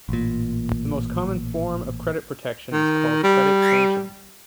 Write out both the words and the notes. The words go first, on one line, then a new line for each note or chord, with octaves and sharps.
The most common form of credit protection is called credit tranching.
A1 A#2
D#3
G3